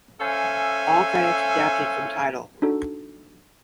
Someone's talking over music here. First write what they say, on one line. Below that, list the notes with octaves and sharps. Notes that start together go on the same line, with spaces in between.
All credits adapted from Tidal.
C#4 A4 C5 E5 F5 G#5
D4 D#4 F#4 A4